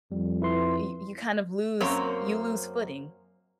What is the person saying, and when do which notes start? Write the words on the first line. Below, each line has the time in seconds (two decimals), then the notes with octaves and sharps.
y you kind of lose you lose footing.
0.12 F2 G3
0.42 E4 B4 C6
1.80 F#2 A#3 C4 C#5 A#5